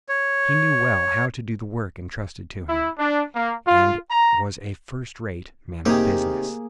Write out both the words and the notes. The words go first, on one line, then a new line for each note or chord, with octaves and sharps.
He knew well how to do the work intrusted to him, and was a first-rate man of business.
C#5
E4
D4
A#3
F4
A#5
C3 D#3 A#3 G4 G#4